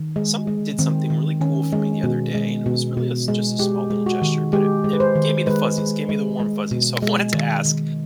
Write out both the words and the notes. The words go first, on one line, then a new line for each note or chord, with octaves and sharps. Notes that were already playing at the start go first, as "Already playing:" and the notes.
Someone did something really cool for me the other day, and it was really a just a small little gesture, but it it gave me the fuzzies, gave me the warm fuzzies. So, I wanted to ask,
Already playing: D#3
G#3
G#3
D#3 C4
D#3
D#3 C#4
G#3
B2
G#3
B2
B2
G#3
G#3 G4
G#3
F#4
D#3
G#3 G4
G#3
B4
C5
D#3
G#3 B4
G#3
G#3
G#3
B2
G#3
D#3
D#3